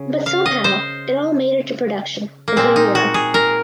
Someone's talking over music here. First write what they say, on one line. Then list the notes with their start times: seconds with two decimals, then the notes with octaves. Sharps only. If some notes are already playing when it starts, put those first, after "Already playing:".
But somehow it all made it to production and here we are.
Already playing: C#3
0.26 F5
0.46 D#5
0.64 C5
2.48 A#3
2.56 A#2 G#3 C4
2.76 D#4
2.95 F#4
3.14 G#4
3.34 A#4